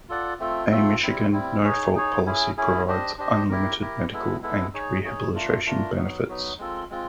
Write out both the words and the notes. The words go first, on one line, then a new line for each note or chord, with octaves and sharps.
A Michigan no-fault policy provides unlimited medical and rehabilitation benefits.
F4 A4 D5 F#5
A3 C4 F4 A4
A3 C4 F4 A4
G3 C4 E4
G3 C4 E4
D#4 G#4 C#5
D#4 G#4 C#5
C#4 E4 G#4
C#4 E4 G#4
D4 G4 C5 D#5
D4 G4 C5 D#5
E4 G4 A#4
E4 G4 A#4
G#3 B3 E4 A4
G#3 B3 E4 A4
D#4 G#4 C#5
D#4 G#4 C#5
A3 D4 F4 A#4
A3 D4 F4 A#4
F#3 B3 D#4
F#3 B3 D#4
G#3 C4 F4 A4
G#3 C4 F4